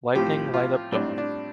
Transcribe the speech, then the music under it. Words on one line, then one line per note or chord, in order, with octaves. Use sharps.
Lightning light up dawn.
A2 F3 C4 G4
F4
A2 G3 C4 D4
D4